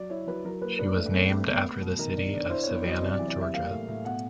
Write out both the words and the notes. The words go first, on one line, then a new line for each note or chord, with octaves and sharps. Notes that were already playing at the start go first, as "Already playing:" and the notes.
She was named after the city of Savannah, Georgia.
Already playing: F#3 D5
E4 C#5
F#3 B4
F#3 A#4
A#3 B4
D4 B4
A3
C4
A3
B3
B3
B2
D#3 A#4
D4
D4
E4 C5
B3 C#5
F#3 D#5
C3 D5
E3 D5
D5
G3 E5
A#3 F5
A2
A2
B2 F#5